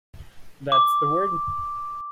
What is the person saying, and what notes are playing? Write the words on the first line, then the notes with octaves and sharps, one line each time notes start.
That's the word.
D6